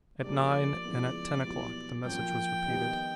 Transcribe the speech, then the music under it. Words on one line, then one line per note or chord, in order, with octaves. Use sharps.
At nine and at ten o'clock the message was repeated.
F3 A#3 D4 G4 D5
C#3 F3 G#3 B3 E4
B2 F#3 B3 E4 G4
F3 A#3 C#4 F#4 G5
D#3 G3 B3 D#4